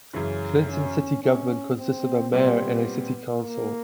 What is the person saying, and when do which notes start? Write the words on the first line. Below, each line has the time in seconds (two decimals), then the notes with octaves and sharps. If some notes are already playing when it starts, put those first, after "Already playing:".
Clinton city government consists of a mayor and a city council.
0.13 F#2 C#3 E3 C#4
0.69 C#4
1.24 C#4
1.78 C4
2.33 A#2 G3 B3 C4
3.43 A#3